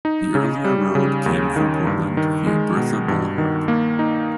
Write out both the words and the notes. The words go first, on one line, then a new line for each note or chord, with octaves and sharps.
The earlier road came from Portland via Bertha Blvd.
D#4
C#3
G3
C#3
D#2
D#3
G2
D#3
G#3
B2
G2
D#3
A#3
D#4